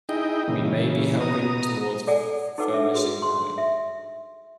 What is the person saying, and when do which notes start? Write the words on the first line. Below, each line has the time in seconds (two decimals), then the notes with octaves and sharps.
We may be helping toward furnishing the home.
0.09 D#4 E4 G#4 D#5 G5
0.48 A#2 C#3 E3
1.20 B2 A#5 D#6
2.07 A4 D5 F#5 G#5
2.58 D#4 A4 B4 F#5 D6
2.73 D4 A4 E5
2.94 F#4 G#4 B4
3.22 C6
3.58 E5